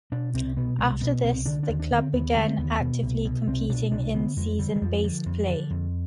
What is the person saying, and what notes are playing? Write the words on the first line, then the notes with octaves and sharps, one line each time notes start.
After this, the club began actively competing in season based play.
B2 D4
C2 C4
B2 B3
C2 G#3
B2 B3
C2 C4
D3 D4
D4
D#2
D4
D3
C4
D#2 B3
D3 G#3
C4
D#2 B3
B2 B3
C2
B2
C2 C4
B2 D4
C2 D4
D3 B3
F2 G#3
D3 G3
D#3
F2 F3
D3
F2
D3
F2